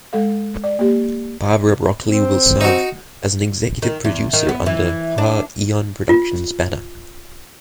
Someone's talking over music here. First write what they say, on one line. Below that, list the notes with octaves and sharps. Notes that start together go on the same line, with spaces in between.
Barbara Broccoli will serve as an executive producer under her Eon Productions banner.
G#3 A4 F5
D5
A#3 G4
C4
D#4 F#4
D#3
E2
D#3
B3
E3
D4
F4